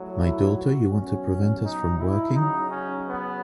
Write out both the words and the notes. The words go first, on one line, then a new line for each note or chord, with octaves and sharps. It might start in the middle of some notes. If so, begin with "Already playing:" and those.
My daughter, you want to prevent us from working ?
Already playing: A2 F#3
E4
F#4
B2 F#3 C#4
D#4
E4
C#3 F#3 D#4
C#4
B3